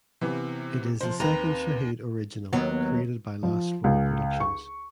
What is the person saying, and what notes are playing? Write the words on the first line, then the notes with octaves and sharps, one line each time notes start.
It is the second Shahid Original created by Last Floor Productions.
C3 E3 B3
C3 F3 C5
D#2 C4 B4 A#5
D#2 F#3 B3
F3
C#2
C#6